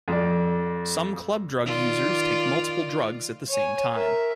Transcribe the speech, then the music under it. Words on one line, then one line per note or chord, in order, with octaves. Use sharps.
Some club drug users take multiple drugs at the same time.
F2 D5
D#3 F4 D5
C#5 G#5
A#4 E5